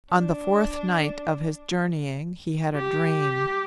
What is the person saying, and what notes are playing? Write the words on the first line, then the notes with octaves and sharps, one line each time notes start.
On the fourth night of his journeying he had a dream.
D4
G4